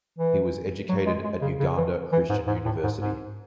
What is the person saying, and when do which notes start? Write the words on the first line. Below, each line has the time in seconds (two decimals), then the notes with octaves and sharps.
He was educated at Uganda Christian University.
0.18 E3
0.89 F#3
1.06 G#3
1.24 G#3
1.41 C#3
1.60 C#3
1.77 E3
2.12 E3
2.29 G#2
2.47 G#2
2.65 A2
2.83 G#2
3.01 G#2